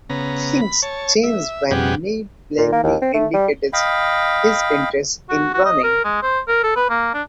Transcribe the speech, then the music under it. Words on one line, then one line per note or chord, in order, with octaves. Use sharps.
Things changed when Neil Blaney indicated his interest in running.
C#3 B3 A#5
B5
C#5 A5
E5
F2 B2 G3 G4 G#4 F#5
A#2
A#3
D#2
C4
A3
G3
D#5 F5 G5 B5
F#4
F#4
D#5
A#4
G#3
C5
A#4
A4
B4
A#3
D4